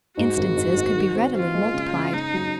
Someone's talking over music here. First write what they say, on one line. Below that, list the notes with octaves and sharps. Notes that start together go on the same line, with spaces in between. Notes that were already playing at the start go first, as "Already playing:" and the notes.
Instances could be readily multiplied.
G#2 F#4
G#1
G#2
G#2
D#3
C4
C4 F4
G#3
C#3
C#3
C#3 D#4
F#3